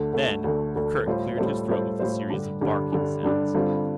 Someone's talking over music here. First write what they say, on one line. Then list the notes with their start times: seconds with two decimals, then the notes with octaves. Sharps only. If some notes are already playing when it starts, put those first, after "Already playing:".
Then Gurgurk cleared his throat with a series of barking sounds.
Already playing: D2 D3 A3
0.13 D2 D3 A3
0.44 D2 D3 A3
0.76 D2 D3 A3
1.06 A2 G3 F4 A4 C5
1.37 A2 G3 F4 A4 C5
1.68 A2 G3 F4 A4 C5
1.99 A2 G3 F4 A4 C5
2.30 G2 D3 G3 D4
2.61 G2 D3 G3 D4
2.92 G2 D3 G3 D4
3.23 G2 D3 G3 D4
3.54 G2 D3 G3 C4 F4